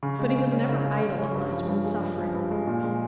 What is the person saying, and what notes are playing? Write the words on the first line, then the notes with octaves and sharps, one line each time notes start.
But he was never idle unless when suffering.
C#3
G#3
C#3
C#4
C#3
G#3
C#3
C#4
G2
F3
G2
G#3
G2
F3
G2
G#3
A#2
G#3